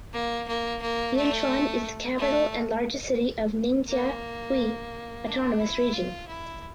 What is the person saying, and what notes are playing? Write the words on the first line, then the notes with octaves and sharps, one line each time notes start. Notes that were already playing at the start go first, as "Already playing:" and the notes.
Yinchuan is the capital and largest city of Ningxia Hui Autonomous Region.
A#3
A#3
A#3
A3
A3
A#3
D4
E4
F4
E4